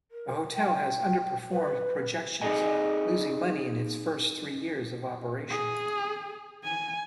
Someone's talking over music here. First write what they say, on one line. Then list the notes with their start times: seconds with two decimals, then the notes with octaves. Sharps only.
The hotel has underperformed projections, losing money in its first three years of operation.
0.12 A#4
0.55 G5
1.51 B4
2.41 C4 D#4 G#4 A4 D#5 G#5
5.50 G#4
6.63 G#5